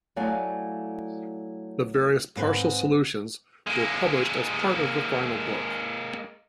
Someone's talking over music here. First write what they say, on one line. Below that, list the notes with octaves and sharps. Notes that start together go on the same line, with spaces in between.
The various partial solutions were published as part of the final book.
F#3 A3 E4 D5 F5 G#5
G#2 C4 B4 C5
G#3 A#3